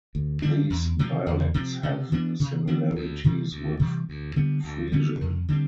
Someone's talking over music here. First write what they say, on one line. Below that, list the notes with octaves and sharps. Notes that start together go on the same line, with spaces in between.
These dialects have similarities with Frisian.
D2
D3 G3 D4
E2
C3 F3 C4
E2
C3 F3 C4
C3
E3 B3 D4
C3
E3 B3 D4
D2
C3 E3 G3
D2
C3 E3 G3
D2
D3 G3 B3
D2
D3 G3 B3
F2
D3 G3 C4